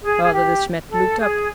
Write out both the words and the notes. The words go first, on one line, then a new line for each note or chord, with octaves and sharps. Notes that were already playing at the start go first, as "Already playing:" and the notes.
Father De Smet looked up.
G#4
G#4
G4
A4
G#4